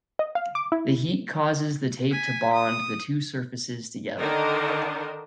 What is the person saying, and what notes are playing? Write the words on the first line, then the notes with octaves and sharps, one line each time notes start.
The heat causes the tape to bond the two surfaces together.
D#5
F5
D6
E4
G#5 B6
D#6
D3 D#3 D4 D#4 A#4 D#5